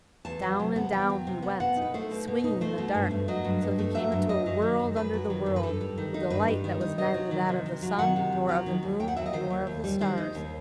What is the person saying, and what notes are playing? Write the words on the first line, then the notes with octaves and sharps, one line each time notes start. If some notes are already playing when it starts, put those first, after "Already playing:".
Down and down he went, swinging in the dark, till he came into a world under the world, with a light that was neither that of the sun, nor of the moon, nor of the stars.
E2 A5
F#3
C3
B3
E2 G5
F#3
C3
B3
B2 F#5
D#4
B4
A3 C5
B2
B2
D#4
A3 C5
B2
G2
A3
F#3 D#5
G2
G2
A3
F#3 E5
G2
F#2 D#5
F#3
D#3
F#2
F#2 B4
F#3
D#3
F#2
B4
G2 A4
G3
D#3
D#4
G2 B4
G3
D#3
D#4
C3 D#5
F#3
D#3
C3
C3
F#3
D#3 F#5
C3
D#2
F#3
D#3
D#2
D#2 G5
F#5
F#3 E5
D#5
D#3 C5
D#2
D#2
G3
D#3 C5
D#4
D#2